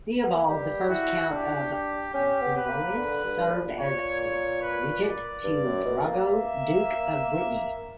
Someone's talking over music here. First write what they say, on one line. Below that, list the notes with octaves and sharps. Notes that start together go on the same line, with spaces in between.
Theobald the First, Count of Blois served as Regent to Drogo, Duke of Brittany.
B3
A#3
G3 G4
E4 F#4
D4 G4
G4
C#4 G4
B3
B4
A#3
D3
G2
A#2
C#5
C#5
B4
D5
G2
F#2
B2
A#3
E5